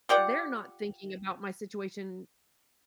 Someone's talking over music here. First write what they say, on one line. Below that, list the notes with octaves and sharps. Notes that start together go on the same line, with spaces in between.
they're not thinking about my situation,
F4 G4 D5 F#5